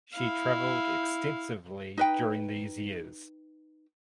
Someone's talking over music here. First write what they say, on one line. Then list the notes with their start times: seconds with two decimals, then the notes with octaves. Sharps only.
She travelled extensively during these years.
0.14 E4 F5
1.97 D#4 B4 G5